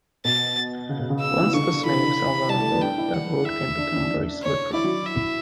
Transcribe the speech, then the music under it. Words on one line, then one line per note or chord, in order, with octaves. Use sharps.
Once the snakes are run over, the road can become very slippery.
B2 A6
C#3
B2
C#3
E6
E3
D3 C#6
E3 B5
G3 A5
A3
B3
D4 G5
E4
F#5
E5
D4
C#4
D4
C#5
E4 D5
F#3
E5